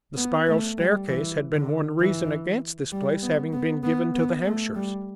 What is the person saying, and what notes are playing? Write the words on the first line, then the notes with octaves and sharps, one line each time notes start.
The spiral staircase had been one reason against this place having been given to the Hampshires.
B3
A3
G3
E3
D3
E3
G3
B3
B3
B3
B3
A3
G3